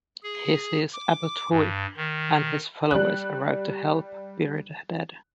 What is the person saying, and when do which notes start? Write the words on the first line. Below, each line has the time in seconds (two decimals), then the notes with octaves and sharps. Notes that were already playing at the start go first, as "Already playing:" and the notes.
He sees Abbot Hui and his followers arrive to help bury the dead.
0.23 G#4
0.93 D6
1.50 G2
1.97 D#3
2.91 G3 F#6